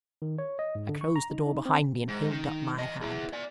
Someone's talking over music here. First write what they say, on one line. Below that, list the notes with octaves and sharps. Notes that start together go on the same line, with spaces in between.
I closed the door behind me and held up my hand.
D#3
C#5
D#5
G#2
D3
C#6
A#5
D#4
D#4
C4
G#2
D#3
E3 D#5
E4 G#4
D5 G#5